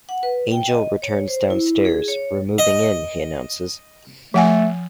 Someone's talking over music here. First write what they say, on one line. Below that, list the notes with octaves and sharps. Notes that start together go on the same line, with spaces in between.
Angel returns downstairs; "We're moving in," he announces.
F#5
B4
G5
D#5
C#5
C5
E4
G#4
C#5
D#5
F3 A3 F#5 G#5